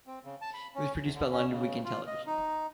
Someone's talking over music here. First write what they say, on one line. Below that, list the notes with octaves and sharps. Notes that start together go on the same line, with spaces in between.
It was produced by London Weekend Television.
C4
C#3
A5
B5
C#4
E2
D3
C#4
C#3
F4
D#5
D#4